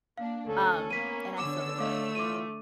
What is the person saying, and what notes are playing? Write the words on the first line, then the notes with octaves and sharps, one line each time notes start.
Um, and I still didn't like it.
A#3 D4 F5
D2 C#4 A4
A#3 B3 B6 D#7
D3 C#5 D6 E6
A3 D#5 F5 D6
E3 F4 D6 D#7